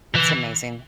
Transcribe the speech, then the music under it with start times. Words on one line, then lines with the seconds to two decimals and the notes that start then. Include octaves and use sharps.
It's amazing.
0.15 E3